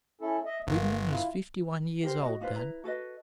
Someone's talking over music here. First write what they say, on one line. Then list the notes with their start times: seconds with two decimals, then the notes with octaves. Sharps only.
Whitman was fifty-one years old then.
0.21 C#4 E4 A4
0.45 D#5 E5
0.67 G1 A#3
1.10 E4 F4
2.03 G4 A#4 C5
2.22 F#4 D#5
2.41 D#4 F4 B4 C5
2.54 E4 B4 A#5
2.84 F#4 A4 B4 D#5